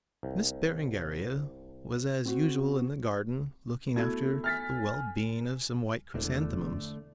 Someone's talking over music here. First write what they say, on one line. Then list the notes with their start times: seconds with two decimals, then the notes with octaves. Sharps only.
Miss Berengaria was as usual in the garden looking after the well-being of some white chrysanthemums.
0.23 C2
2.25 C4 F#4
3.96 A3 B3 E4 F#4 G#6
4.44 G#5 F6 A6 B6
6.14 E1 D3 A3